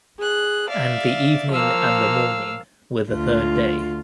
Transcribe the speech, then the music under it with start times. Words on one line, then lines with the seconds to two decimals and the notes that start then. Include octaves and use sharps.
And the evening and the morning were the third day.
0.19 G#4 F#6
0.70 D5 E5 F5
1.52 F3 A#3 F5 E6
3.11 D2 F4